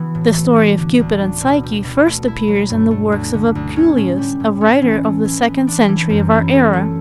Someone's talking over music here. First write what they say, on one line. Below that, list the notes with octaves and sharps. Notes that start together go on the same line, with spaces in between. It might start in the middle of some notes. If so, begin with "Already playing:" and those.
The story of Cupid and Psyche first appears in the works of Apuleius, a writer of the second century of our era.
Already playing: E3 B3 F#4
A2
A3
D4
D3
D2
D4
B2
G3
B2
A3
E4
F#3
G2
A3
D2
D3
D2
C#4
A2
G3
A2
C#4
E3
A3
E3
B3
D4
E3
F#2
E4
A4
A3